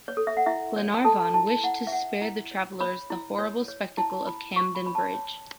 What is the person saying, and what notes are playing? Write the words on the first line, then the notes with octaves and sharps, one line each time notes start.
Glenarvan wished to spare the travelers the horrible spectacle of Camden-Bridge.
C#5
A4
E5
F#5
E4 E5
C#5
A4 A5
E4 A5
E4 F#5
E5
C#5 F#5
E4
C#5
C#5 B5
E4
C#5
C#5
E4 A5
E4 B5
C#5 C#6
B5
C#5 B5
A5
C#5